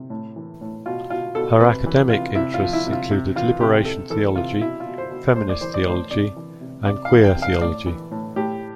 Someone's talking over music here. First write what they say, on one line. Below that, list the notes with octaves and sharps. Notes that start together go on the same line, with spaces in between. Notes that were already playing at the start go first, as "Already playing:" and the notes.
Her academic interests included liberation theology, feminist theology and queer theology.
Already playing: C3
A2
E3
A2
B2 F4
B2 F4
B2 A4
C3 B4
E3
C3 F4
C3 E4
F4
F3
E4
C3
F4
C3
E3 F4
C3 G4
C3 A4
E3 A4
C3 F4
B2 E4
F4
B2
C5
B2
A2 C5
D5
E3 C5
D5
A2 C5
C3 D5
E3
C3
C3 D5
F5
E3
G5
C3
F5
A2 D5
E3
A2
A2 G4